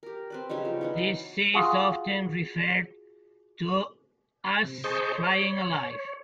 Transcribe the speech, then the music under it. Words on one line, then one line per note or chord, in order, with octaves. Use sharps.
This is often referred to as "flaying alive".
G4 A#4
C4 B4 D5
C#3 F#3 G3 D#4
F3
E3 B3 D#4
F#3
F4 F#4 G#4
C3
G#4 C5 D#5 A5 C#6 G6
C#5